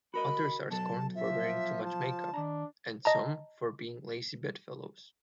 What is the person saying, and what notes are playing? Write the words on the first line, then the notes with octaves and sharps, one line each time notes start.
Others are scorned for wearing too much makeup, and some for being "lazy bedfellows".
F#4 A#4 D#5 B5
B2 F#3 A4 A5
F3 E5
A5
D#3 D4 A#5
D#5 A5 A#5